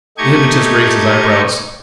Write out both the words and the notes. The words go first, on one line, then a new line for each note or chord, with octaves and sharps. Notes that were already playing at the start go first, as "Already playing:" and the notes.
The hypnotist raised his eyebrows.
A3 D#4 G4 D#5 C#6 G#6